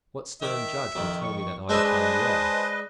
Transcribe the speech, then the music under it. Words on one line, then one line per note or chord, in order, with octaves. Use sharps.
What stern judge will tell me that I have done wrong?
D#3 E5 D6
F2 D#3
C#6
G#3 D4 B4 C5 D#5 A5 E6
G#4 C5 A5